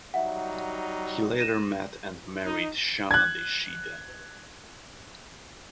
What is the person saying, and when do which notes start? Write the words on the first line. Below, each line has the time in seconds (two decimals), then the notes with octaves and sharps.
He later met and married Shanna the She-Devil.
0.14 F#3 G3 D#4 E5 F#5
1.39 A#6 D#7 E7
2.44 D#4
3.11 F#6 G#6